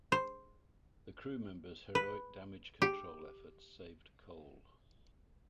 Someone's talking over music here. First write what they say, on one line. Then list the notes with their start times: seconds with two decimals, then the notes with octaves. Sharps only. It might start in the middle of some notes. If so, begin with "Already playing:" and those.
The crewmember's heroic damage control efforts saved "Cole".
0.12 C5
1.95 B4
2.82 G4